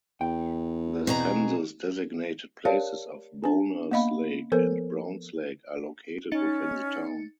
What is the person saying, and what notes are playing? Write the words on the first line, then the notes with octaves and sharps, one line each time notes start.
The census-designated places of Bohners Lake, and Browns Lake are located within the town.
E2 G5
B2 C4 G#4 A#5
G4 A#4 C#5 D5 F5 A5
D4 G#5
A#3 B3 D#5 F5 B5
F3 B3 A4 A#4 C5
C#4 D#4 A6 C#7